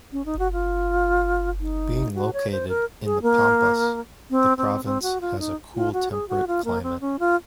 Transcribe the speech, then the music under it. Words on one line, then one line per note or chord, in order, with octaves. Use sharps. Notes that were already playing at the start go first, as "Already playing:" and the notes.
Being located in the Pampas, the province has a cool temperate climate.
C#4
D#4
F#4
F4
D#4
F#4
C#5
C5
A#4
G#4
A#3
C4
C4
C4
F#4
F4
D#4
F4
F#4
G#4
F#4
F4
A#3
C4
C#4
F4